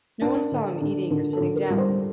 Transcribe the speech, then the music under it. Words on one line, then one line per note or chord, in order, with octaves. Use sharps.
No one saw him eating or sitting down.
D4 A#4
D3
D3
D3 A#4
A4
D3
A#4
G3
C5